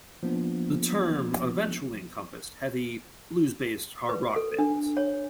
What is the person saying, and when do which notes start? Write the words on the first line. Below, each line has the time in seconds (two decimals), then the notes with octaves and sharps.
The term eventually encompassed heavy, blues-based hard rock bands.
0.23 F3 A#3 B3 D4
4.09 B4
4.36 A4
4.59 D4
4.97 C#5